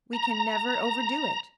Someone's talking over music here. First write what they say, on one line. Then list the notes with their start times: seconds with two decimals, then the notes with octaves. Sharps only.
We can never overdo it.
0.13 A#5